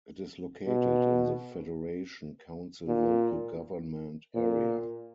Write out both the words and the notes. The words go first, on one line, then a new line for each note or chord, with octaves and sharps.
It is located in the Federation Council local government area.
B2
A#2
A#2